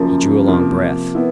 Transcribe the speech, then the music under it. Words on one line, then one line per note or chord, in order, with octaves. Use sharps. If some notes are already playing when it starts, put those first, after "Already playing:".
He drew a long breath.
Already playing: F#2 C#3 F3 A#3
C3 F3 A#3
B3 E4